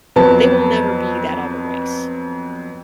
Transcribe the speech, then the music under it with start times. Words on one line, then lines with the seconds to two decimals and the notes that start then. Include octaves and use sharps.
they will never be that other race.
0.16 F2 F#3 B3 B4 A5